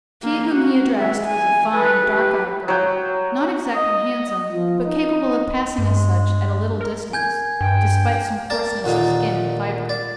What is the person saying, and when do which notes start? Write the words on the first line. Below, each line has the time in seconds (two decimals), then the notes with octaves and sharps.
She whom he addressed was a fine dark-eyed girl, not exactly handsome, but capable of passing as such at a little distance, despite some coarseness of skin and fibre.
0.23 A#3
0.55 F#4
0.97 G#3 E5
1.27 G#5
1.71 A4 B4
2.07 G4 B4
2.68 F#3 G5
3.74 D#5
4.52 F3
4.85 D#4
5.78 G2 G#3
6.81 A#4
7.13 G#5 G6 G#6
7.61 G2 G5
8.50 A#4 D5 A5
8.84 D#2 A#2 D3 A#3 D#4
9.89 D5